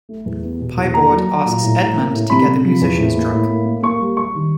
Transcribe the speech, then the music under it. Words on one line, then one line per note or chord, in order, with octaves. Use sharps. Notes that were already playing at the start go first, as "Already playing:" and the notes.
Pieboard asks Edmond to get the musicians drunk.
A3
E2
B3
B2
E2
A#3 A#5
F#3
F#3
A#2
A2
A2
A#3
A2
C3 B5
C3
F3
E2
A2
A#3
A2
A#3
A#3
A#3 C#6
G3
G3 C#6
D#3